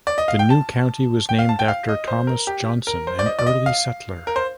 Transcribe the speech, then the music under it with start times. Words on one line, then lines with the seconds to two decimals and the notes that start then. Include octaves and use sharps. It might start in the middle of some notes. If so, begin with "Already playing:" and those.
The new county was named after Thomas Johnson, an early settler.
0.07 D5
0.18 D#5
0.28 F5
0.39 G5
0.50 A5
1.29 G5
1.39 F5
1.49 A5
1.59 G5
1.68 F5
1.89 D#5
2.08 C5
2.27 A#4
2.47 G4
2.87 A#4
3.07 C5
3.19 D5
3.26 D#5
3.39 D5
3.47 D#5
3.66 F5
4.27 A#4
4.36 C5